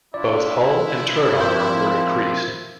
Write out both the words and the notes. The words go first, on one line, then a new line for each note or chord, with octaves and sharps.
Both hull and turret armor were increased.
D4 E4 F4 D5
F3 C4 F4 A#4 C5 G6